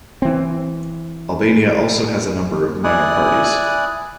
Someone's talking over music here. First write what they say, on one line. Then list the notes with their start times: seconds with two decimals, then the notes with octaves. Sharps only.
Albania also has a number of minor parties.
0.22 E3 C4
2.84 E4 D5 G#5 D#6 F#6